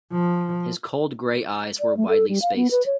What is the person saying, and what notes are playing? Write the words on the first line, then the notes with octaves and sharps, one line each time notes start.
His cold grey eyes were widely spaced.
F3
D5
A3
A4
G3
F5
B3
B4
C#5